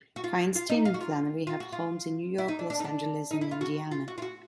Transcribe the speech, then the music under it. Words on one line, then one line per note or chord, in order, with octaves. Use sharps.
Feinstein and Flannery have homes in New York, Los Angeles, and Indiana.
F#4
F4
F4
D#4
F4
F#4
F4
F4
F#4
F4
E4
D#4
D4
D4
D#4
D4
D#4
E4
F4
F#4
F4
F#4
F4
F#4